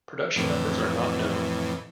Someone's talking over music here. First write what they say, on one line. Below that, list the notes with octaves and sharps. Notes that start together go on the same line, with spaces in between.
Production numbers are not known.
F2 A2 E3